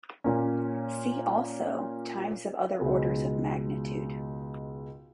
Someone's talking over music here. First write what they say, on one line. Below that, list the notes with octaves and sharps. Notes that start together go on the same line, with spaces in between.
"See also" times of other orders of magnitude.
A#2 A#3 C#4
C#2 B2 G#3 D#4